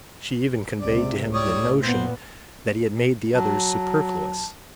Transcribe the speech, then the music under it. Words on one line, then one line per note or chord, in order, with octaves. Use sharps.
She even conveyed to him the notion that he had made the others superfluous.
C#2 C3 D5
A2 G3 C#5 D#6
A#2 B3 C4
F#3 A5